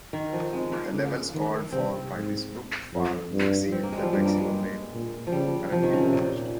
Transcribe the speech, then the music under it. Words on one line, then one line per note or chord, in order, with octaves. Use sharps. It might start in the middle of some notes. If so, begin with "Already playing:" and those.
The levels called for by this group far exceed the maximum rate currently proposed.
D#3
F3
G#3 C4
A#3
C#3
D#3
C3 C4
G#2
F2
G2
C4
A#3
G#3
F3 G3
G2 G3
A#3
G#3
A#2
F3
C#3 G3
C3 F3
D#3
C#3
C3
A#2